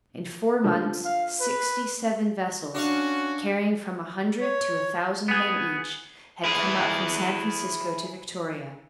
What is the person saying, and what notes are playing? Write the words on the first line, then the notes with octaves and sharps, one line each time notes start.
In four months sixty-seven vessels, carrying from a hundred to a thousand men each, had come up from San Francisco to Victoria.
D3 F3
F5
B4
C#4 D4 F#4 F5 C#6
C#5
B3 G#4
E4 G#4